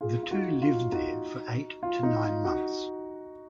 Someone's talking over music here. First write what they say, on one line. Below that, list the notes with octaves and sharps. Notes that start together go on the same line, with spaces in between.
The two lived there for eight to nine months.
F4 G#4
F4
D#4 F#4
F4
D#4 F#4
F4
D#4
F4
D#4 F#4